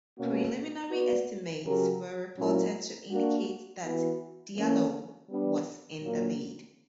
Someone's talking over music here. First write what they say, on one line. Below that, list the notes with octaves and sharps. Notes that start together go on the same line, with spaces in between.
Preliminary estimates were reported to indicate that Diallo was in the lead.
B2 A#3 C#4 F#4 C#5
B3 F#4 B4 D5
C#3 F#3 C#4 G4 A#4
A#2 F#3 C#4 E4 A#4
A#3 D4 F#4
E3 B3 F#4
E3 A#3 C#4
G3 B3 D4
A#2 F#3 A#3